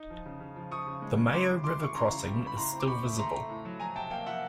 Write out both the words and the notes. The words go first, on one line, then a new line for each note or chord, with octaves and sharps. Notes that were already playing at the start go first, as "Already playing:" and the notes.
The Mayo River crossing is still visible.
Already playing: D#4
F3
C#3
C#3
F3
F3 C#6 D#6
C#3
G#3
C#3
E3 C6 D6
G3
E3 C6 D6
E3 C#6
C#3 A#5 C6
E3
G3
C#3
B5
A2 A#5 C6
C4
D6
C4 B5 C#6
A3
A3 A#5 C6
A3
A2
F#3
F3 G#5 A#5
C3 G5 A5
A#3 F5 G5
F3 E5 F#5